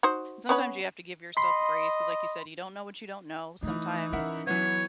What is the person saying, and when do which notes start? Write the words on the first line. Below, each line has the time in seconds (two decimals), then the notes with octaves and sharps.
Sometimes you have to give yourself grace, 'cause like you said, you don't know what you don't know, sometimes
0.03 D#4 F#4 C5
0.49 B3 C#4 B4
1.37 D#5 B5 C6
3.62 E3 A3 D#4
4.13 C#4 A#4 E5 F#5
4.47 E3 F#3 B3 C#5